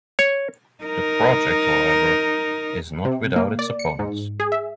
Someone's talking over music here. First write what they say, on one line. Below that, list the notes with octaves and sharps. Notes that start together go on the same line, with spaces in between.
The project, however, is not without its opponents.
C#5
D#4 A#4
C3
A#3
D5
C#7
G#2
G#4
E5